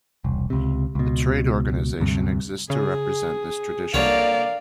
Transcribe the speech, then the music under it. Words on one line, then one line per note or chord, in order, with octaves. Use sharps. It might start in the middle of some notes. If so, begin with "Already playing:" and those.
A trade organisation exists to represent this tradition.
E1 C2
C#2 C3
C#2 B2
D2 G2 C3
C#3 G#4
C2 D3 A#3 A#4 C#5 D5 F5